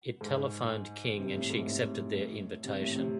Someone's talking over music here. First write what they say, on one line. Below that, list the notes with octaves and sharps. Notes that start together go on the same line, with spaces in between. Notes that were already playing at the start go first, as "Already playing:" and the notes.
It telephoned King and she accepted their invitation.
G#2
C3
A2
G#2
A2
C3
A2
C3